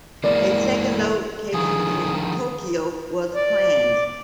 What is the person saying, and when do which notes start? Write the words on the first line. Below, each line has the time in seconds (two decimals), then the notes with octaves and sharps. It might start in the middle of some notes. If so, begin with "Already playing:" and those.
A second location in Tokyo was planned.
0.24 E3 G#3 A#3 D5
1.54 D3 D#3 F3 G#4
3.35 D5